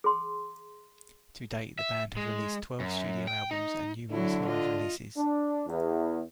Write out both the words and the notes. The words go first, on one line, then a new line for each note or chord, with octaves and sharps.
To date, the band have released twelve studio albums, and numerous live releases.
G#4 C6
E5
G#3
F#2
G5
D#4
D3 F#3 D4 E4
F4 D#5
D4
E2